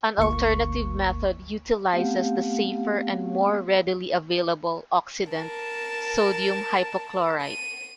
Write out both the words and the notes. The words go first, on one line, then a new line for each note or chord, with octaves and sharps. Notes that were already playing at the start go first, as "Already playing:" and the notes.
An alternative method utilizes the safer and more readily available oxidant sodium hypochlorite.
G1 D2 A#3 C#6
A3 B3 C4 G4 F5 F#5
A#4 A5
D#7